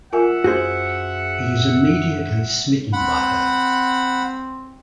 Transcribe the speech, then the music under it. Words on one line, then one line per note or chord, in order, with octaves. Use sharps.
He is immediately smitten by her.
F4 A#4 E5 F#5 G#5
F#2 F#4 G#4 C5
C4 F#5 B5